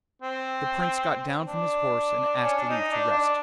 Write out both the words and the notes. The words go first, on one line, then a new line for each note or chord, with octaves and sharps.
The Prince got down from his horse and asked leave to rest.
C4
D4
C#4
D4
D#4
D4
D4